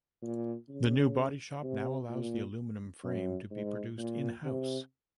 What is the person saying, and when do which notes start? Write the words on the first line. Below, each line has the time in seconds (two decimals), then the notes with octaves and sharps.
The new body shop now allows the aluminum frame to be produced in-house.
0.22 A#2
0.69 C#3
1.63 C3
2.10 A#2
3.04 F#2
3.51 G#2
3.98 A#2
4.45 C3